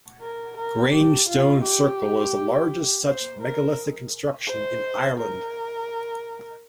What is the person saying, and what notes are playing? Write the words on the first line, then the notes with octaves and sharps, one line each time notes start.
Grange stone circle is the largest such megalithic construction in Ireland.
A#4
A#4
G4
F4
G4
C5
A#4
C5
A#4